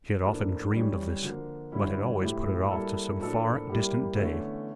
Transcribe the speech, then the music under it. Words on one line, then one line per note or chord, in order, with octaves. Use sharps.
She had often dreamed of this, but had always put it off to some far-distant day.
A2 F3 A#3 D4 A4
F2 E3 G3 C#4
D3 F3 A#3
G2 D3 G3 C#4 E4
A2 F3 A3 E4 G4
G3 A#3 E4 A4
A2 F3 A#3 D4 A4
G3 A#3 E4 G4
E2 D3 A3 C#4